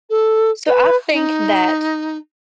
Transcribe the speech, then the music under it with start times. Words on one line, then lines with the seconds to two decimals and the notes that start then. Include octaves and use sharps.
So I think that
0.09 A4
0.66 B4
1.12 D#4